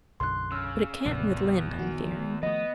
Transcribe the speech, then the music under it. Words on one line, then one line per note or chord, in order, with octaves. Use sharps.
But it can't with Lynde, I'm fearing.
B1 F#2 D3 C6 F#6
C#3 E6 F6
A#1 F2 A#2 C#3 E3 B3
D#3 F#4
F3 A3 B3 D#5